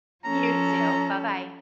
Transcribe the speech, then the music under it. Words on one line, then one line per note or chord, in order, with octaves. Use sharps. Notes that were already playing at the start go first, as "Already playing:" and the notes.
you too, bye-bye.
F3 C#4 A4 A#5